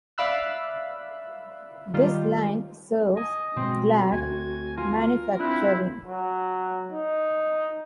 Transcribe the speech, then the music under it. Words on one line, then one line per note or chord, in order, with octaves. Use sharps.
This line serves Glad Manufacturing.
D5 E5 F5 B5 E6 F#6
D#3 G3 F4
D#5 G#5
B2 G#3 C4 F#4
D2 A3 G#5
F4 A#4 G#5
C4 D4 E4 F4 F#6
F#3
D#4